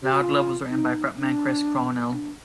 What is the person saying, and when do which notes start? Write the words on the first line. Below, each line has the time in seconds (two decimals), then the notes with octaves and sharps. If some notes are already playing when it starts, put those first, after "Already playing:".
"Loud Love" was written by frontman Chris Cornell.
0.03 G4
0.13 F#4
0.22 F4
0.70 D#4
1.17 D4
2.12 D4